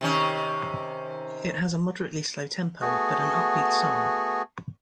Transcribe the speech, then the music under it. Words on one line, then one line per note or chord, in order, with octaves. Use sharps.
It has a moderately slow tempo but an up-beat song.
C3 D#3 C#4
A3 B3 F#4 G#4